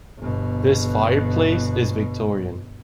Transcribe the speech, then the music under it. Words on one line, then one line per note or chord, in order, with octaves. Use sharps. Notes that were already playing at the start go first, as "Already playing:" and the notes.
This fireplace is Victorian.
G1 B2